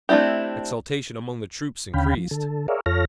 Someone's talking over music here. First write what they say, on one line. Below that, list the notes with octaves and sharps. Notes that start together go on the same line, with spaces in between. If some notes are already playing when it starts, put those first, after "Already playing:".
Exultation among the troops increased.
A3 C4 D4 E4 G4
D#2 D3 C#4 F5 G5 B5
F3
D3 A4
G#4 A#4 C#5 D5 E5 F5
F2 F4 A4 C#5 F6 A#6